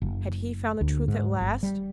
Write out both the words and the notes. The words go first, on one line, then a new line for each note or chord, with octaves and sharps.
Had he found the Truth at last?
F#1
D2
G#2
G1
G3